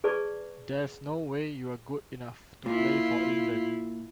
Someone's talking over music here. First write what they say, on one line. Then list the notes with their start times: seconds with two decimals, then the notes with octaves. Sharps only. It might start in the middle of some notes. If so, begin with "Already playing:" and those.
There's no way you're good enough to play for England.
0.04 G#4 B4 D5 A5 C#6
2.66 A#2 E4 F4